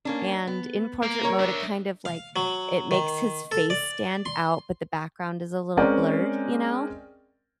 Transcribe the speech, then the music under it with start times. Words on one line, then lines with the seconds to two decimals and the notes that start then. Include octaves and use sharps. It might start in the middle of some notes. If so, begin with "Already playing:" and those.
and in portrait mode, it kind of, like, it makes his face stand out, but the background is a little blurred, you know?
0.05 A#3 C#4 D4
0.47 B3
1.03 A#3
1.23 A#4 C#5
1.39 D4 E5
2.05 F5
2.36 F#3
2.91 D#3
3.51 A4
3.70 D5
4.26 C6
5.77 G#3 C4 C#4 A#4 D5 G5